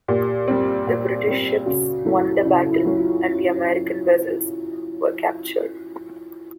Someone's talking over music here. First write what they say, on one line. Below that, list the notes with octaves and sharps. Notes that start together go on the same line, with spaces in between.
The British ships won the battle, and the American vessels were captured.
A#2 G4
G3 C4
A#2
G3 C4
C#3 F#4
F#3 A3 C#4 E4
C#3 E4
E4
F#3 A3 C#4
F4